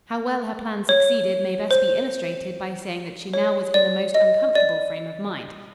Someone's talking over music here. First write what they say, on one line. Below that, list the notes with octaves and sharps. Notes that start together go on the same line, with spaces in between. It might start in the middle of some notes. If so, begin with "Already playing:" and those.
How well her plan succeeded may best be illustrated by saying that she now was in a most uncomfortable frame of mind.
C#5
C5
C#5
D5
D#5
D5